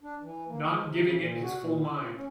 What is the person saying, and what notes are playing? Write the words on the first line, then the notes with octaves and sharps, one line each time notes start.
Not giving it his full mind.
D4
E3
A#3
G#3
C3
C#3
A#2
F#4
A#2
E4
F4
C#4